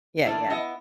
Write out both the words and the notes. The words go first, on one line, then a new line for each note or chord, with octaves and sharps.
Yeah, yeah.
D#3 E3 A3 D4 E4
B3 E4 D#5